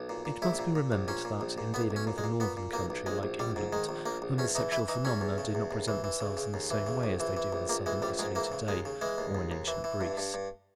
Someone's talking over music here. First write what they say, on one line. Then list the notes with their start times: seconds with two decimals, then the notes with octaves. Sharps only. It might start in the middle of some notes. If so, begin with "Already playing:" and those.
It must be remembered that, in dealing with a northern country like England, homosexual phenomena do not present themselves in the same way as they do in southern Italy today, or in ancient Greece.
Already playing: B1
0.09 A#2
0.25 A#2
0.42 A#1 E4
0.59 A#2
0.75 A#2
0.92 A#1
1.08 A#2 C#4
1.25 A#2
1.41 A#1
1.58 A#2
1.74 B1 B3
1.91 B1
1.96 C#4
2.07 A#2
2.18 G#3
2.24 A#2
2.40 A#2 B3
2.57 A#2
2.73 B1 A#3
2.90 B1
3.06 A#1 G#3
3.23 A#1
3.39 A#1 G3
3.56 G#2
3.73 D#3 G#3
3.89 A#1
4.06 A#1 A#3
4.22 A#1
4.38 E2 C#4
4.55 E3 D#4
4.72 E3 E4
4.88 E3 D#4
5.05 E2 C#4
5.21 E2
5.38 C#3
5.55 E2
5.71 D#2
5.88 E3
6.04 E3
6.21 C#3
6.37 C#3
6.54 D#2
6.70 E3
6.86 C#3
7.03 A#1
7.20 E3
7.37 E3
7.53 A#1
7.69 A#1 A#3
7.86 E3 G#3
8.02 A#1 G3
8.19 G#2 G#3
8.35 E3 A#3
8.52 C#3
8.68 D#2 G#3
8.85 C#3
9.01 E3 G#3
9.18 D#2
9.35 D#2
9.52 D#2
9.67 E3
9.84 E3
10.01 G2
10.17 G2
10.34 G2